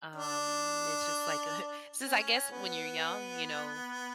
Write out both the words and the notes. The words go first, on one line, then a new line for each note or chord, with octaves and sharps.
um, it's just like a hu since I guess when you're young, you know,
D4
C#4
B3